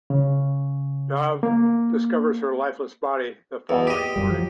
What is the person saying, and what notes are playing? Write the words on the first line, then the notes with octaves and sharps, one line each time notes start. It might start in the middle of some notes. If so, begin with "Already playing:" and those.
Dov discovers her lifeless body the following morning.
C#3
A#3
E2
G4 D#5
F#2 G3
F3 F#3